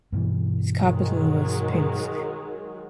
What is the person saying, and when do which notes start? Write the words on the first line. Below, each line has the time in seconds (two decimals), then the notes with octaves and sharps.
Its capital was Pinsk.
0.12 G2 B2 E3
0.83 D#3 F#3 G#3